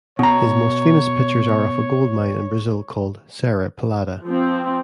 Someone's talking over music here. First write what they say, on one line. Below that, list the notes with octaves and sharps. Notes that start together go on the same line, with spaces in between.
His most famous pictures are of a gold mine in Brazil called Serra Pelada.
B2 C#5 A#5
F3 C4